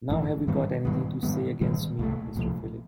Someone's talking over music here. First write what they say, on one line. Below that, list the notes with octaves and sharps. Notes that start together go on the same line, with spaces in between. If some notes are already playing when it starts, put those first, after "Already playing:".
Now have you got anything to say against me, Mr Philip.
A1 G#2 E3
G#2 D#3 G3 B3
G#2 D#3 G3 B3
G#2 D#3 G3 B3
G#2 D#3 G3 B3
C2 A#2 F3 A3
C2 A#2 F3 A3